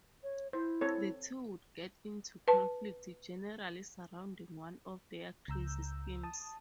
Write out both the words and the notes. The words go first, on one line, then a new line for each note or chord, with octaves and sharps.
The two would get into conflicts generally surrounding one of their crazy schemes.
C#5
E4 C5
C4 A4 C#5
B4 A5
C#2 A#5 E6 G6
A5 D#6